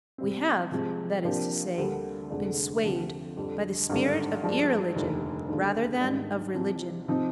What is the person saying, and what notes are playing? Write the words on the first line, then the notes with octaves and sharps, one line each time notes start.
We have, that is to say, been swayed by the spirit of irreligion rather than of religion.
C3 G3 C4
C3 F3 G#3
C3 F3 A#3 D4 G4
D2 D3 G3 A#3
F1 F2 D3 G#3 D4
D2 C3 F3 C4 G4
F2 D3 G3
G#1 G2 D3 G3 D4
G2 F3 G#3 D4
F1 D#2 D3
D#2 D3 G#3 D4
G#1 G#2 G3 D4
C2 C3 F3
C3 F3 C4 D#4